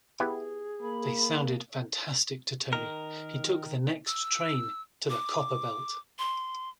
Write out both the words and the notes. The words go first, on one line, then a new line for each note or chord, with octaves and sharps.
They sounded fantastic to Tony, He took the next train to the copper belt...
B3 E4 G4 G#4
A#3 B5
D#3 A#4
E6
D6
C6